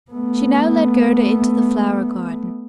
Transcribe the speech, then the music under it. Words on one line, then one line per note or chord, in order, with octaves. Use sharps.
She now led Gerda into the flower-garden.
A3 B3